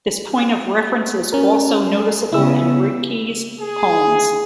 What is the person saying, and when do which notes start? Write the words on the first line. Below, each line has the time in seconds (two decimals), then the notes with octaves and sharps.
This point of reference is also noticeable in Rilke's poems.
1.33 C#4 A#4
1.84 G#3
2.32 C#3 B3 E4 E6
3.61 G#4